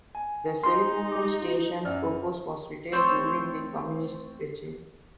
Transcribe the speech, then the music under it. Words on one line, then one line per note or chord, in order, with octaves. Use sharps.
The ceremonial station's purpose was retained during the communist regime.
G#5
D#4 C6
G4 D6
F4 F#4
F#2 D5 F#5 F6
A3 C4 C5 C#5